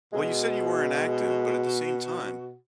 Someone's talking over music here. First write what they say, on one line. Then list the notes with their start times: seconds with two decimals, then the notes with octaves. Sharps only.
Well, you said you were inactive, but at the same time,
0.13 B2 G#3 F#4